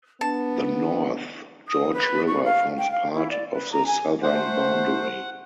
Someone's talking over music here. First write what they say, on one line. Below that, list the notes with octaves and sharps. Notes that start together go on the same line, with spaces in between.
The North George River forms part of the southern boundary.
B3 D4 A5
D#6
B4
C#6
F5
G5
F5
E4
D5
B4
A#5
G#5
A3 C5 F#5